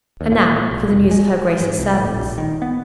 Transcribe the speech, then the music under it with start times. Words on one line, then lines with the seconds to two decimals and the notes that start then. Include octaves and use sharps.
"And now for the news of her Grace's servants."
0.21 D#2
0.32 A#2
0.71 B1
0.89 F1
1.11 G#3
1.61 G#2
1.79 C2
1.96 A2
2.16 A#1
2.38 D#3
2.62 B3